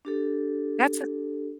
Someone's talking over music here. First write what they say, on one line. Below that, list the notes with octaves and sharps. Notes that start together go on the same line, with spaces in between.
that's a
D4 G4 A4